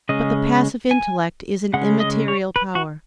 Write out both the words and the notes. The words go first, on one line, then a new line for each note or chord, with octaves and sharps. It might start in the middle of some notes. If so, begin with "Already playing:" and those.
But the passive intellect is an immaterial power.
C#3 G#3 C#4 D#5
G#5
C#3 G#3 C#4 F#5
D#5
C#5
B4
F#4